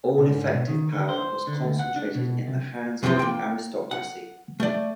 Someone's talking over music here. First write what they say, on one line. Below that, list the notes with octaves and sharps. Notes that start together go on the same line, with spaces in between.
All effective power was concentrated in the hands of the aristocracy.
B2
G#2
B2
D#3
D3
C5
D3
D2
F#5
D4
B2
C3
F#2 C3 E3 F3 C4 C6
A#3 G5
F#5
A3 D5